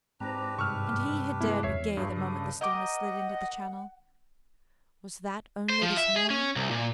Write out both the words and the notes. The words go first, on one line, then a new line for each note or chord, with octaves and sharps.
And he had dared be gay the moment the steamer slid into the channel! Was that only this morning?
G#2 C4 D4 G4 B4 A#5
G2 C3 C#6 E6 F6
G#3 B3 E4
E2 C#5 E5 C7
G2 A3 A#3 G#4
C#3 D4 A4 D#6
A#4 D#5 F#5 G5 D6
C5
F3
E5
G#4
C#4
C2
A#2